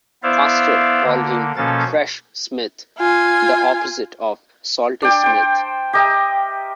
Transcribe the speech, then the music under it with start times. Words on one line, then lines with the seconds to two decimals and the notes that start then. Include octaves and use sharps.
Custer called him "Fresh" Smith, the opposite of "Salty" Smith.
0.23 B3 E4 C5 D5 E5 F5
1.04 D3 A#3
1.57 B2 F3 A#3 C#4 A4 A6
2.98 F4 G#5
5.02 D4 G5
5.23 C5 G5
5.93 G4 A#4 D#5 E5